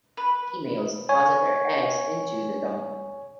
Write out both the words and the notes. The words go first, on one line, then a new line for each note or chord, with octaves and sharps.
Females deposit their eggs into the dung.
B4
C#5 G#5